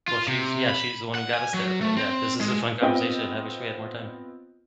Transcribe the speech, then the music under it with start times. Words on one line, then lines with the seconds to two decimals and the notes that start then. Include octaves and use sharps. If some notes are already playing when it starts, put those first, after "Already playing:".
Well, she's yeah, she's the one who got us there, but yeah, this is a fun conversation, I wish we had more time.
0.08 F4
0.28 C3
0.69 B5
1.15 F#5
1.34 G#5
1.54 F#3
1.81 A3
1.97 C4
2.41 G#3
2.81 B3 C4 F4 D#5 G5